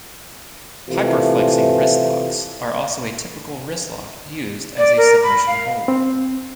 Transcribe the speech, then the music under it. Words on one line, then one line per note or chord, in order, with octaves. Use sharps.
Hyperflexing wristlocks are also a typical wristlock used as a submission hold.
C3 E3 A3 F4
D5
A#4
B5
F5
C4